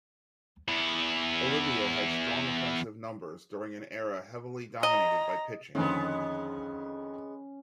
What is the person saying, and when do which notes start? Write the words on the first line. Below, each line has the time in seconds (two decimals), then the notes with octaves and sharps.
Oliva had strong offensive numbers during an era heavily dominated by pitching.
0.69 E2 E4
4.83 D#5 A#5
5.75 F2 D3 D#3 G#3 B3 C#4